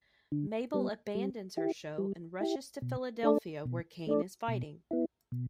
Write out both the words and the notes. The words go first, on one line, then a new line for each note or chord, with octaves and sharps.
Mabel abandons her show and rushes to Philadelphia where Cain is fighting.
D3
G3 B3
G3
E4 G4
G3
E4 G4
B2
A3 D4 A4 D5
B2
A3 D4 A4 D5
B2
B3 E4
B2